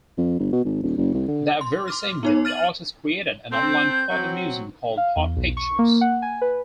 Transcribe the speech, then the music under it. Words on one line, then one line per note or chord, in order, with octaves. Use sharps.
That very same year, the artist created an online photo museum called "Hot Pictures".
F2
G1
B2
G#1
D#1
F#1
C2
D3
C6
C6 D6 F6
B3 D#4 C#5
F6 A6 D#7 F#7
C4 A4 G6
F#3 C4
F5
E2
B1
C#6
A#3
F#5
G#5
B4